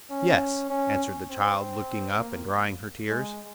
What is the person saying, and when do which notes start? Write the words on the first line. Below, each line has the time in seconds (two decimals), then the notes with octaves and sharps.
"Yes," answered the child, looking up and drying her tears.
0.10 C#4
0.70 C#4
1.30 C4
2.19 A#3
3.09 G#3